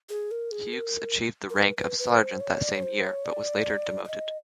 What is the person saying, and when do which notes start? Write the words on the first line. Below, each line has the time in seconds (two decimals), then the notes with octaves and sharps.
Hughes achieved the rank of sergeant that same year, but was later demoted.
0.09 G#4
0.31 A#4
0.52 G#4
0.73 A#4
1.50 A#4
1.56 B4
1.77 B4
1.99 B4
2.20 C5
2.40 C#5
2.62 D5
2.75 C#5
2.83 C5
3.04 C#5
3.25 D5
4.05 D5
4.08 D#5